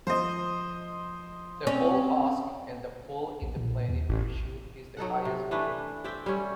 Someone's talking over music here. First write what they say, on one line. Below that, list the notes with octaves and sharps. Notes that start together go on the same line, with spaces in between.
The hull husk and the full in plenty Virtue is the highest good.
F3 F4 C5 D#5
C4 C#4 D5
A#1
A#2
D#2
E1 A1
F#3 D#4 A4 F#5
C3
E3 A3 D4 B4
C4 D5 E5 G5
G3 C#4